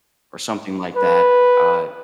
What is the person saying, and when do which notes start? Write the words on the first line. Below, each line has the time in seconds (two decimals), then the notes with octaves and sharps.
or something like that. Uh,
0.97 B4